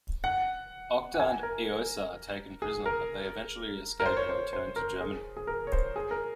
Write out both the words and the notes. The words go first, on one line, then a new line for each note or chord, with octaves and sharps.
Octa and Eosa are taken prisoner, but they eventually escape and return to Germany.
F#5
F#5
G#5
A#4
G#4
A#4
A#4
C5
C#5
C5
C5
A#4
G#4
G#4
A#4
C#5
C5
G#4
A#4